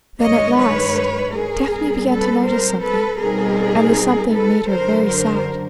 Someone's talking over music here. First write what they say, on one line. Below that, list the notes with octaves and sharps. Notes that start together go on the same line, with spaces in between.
Then, at last, Tephany began to notice something, and the something made her very sad.
G2 D#3 G#3 C#5 D#5
B4 C#5
G#4 A#4
A#2 G3 C4
A4 B4
A#4 C5
A4 B4
B2 G3 C4 D#4 G#4 A#4
A4 B4
F#2 D3 F#3 A#4 C5
A#4 C5